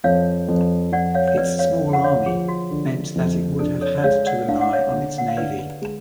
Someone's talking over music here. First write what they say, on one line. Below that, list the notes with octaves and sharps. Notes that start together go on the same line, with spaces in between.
Its small army meant that it would have had to rely on its navy.
F2 C#5 F5
F2
F2 D5 F#5
C#5 F5
C#5
F2 B4 D5
C#5 F5
D3
F#5
C#5 F5
F3 G#4
F#4
D3
F2
D4 A4
A4 C#5
D5
G#3 C#5 F5
D5 F#5
D4 F5
F#5
C#5 F5
D3
F#5
F5
D3 B4 D5
G#3